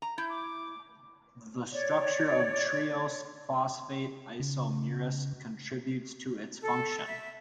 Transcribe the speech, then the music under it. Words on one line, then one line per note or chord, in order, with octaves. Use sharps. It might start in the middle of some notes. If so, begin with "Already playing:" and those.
The structure of triose phosphate isomerase contributes to its function.
A#5
E4 G6
D6
C#5 D5
C#3
A4
E5